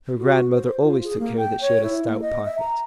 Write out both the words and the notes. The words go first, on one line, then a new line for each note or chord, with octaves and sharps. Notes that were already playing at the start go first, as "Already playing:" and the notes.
Her grandmother always took care that she had a stout pocket.
F#4
C5
F4
G#4
A#3
G5
C#5
E4
A#3
D#5
E5
A#5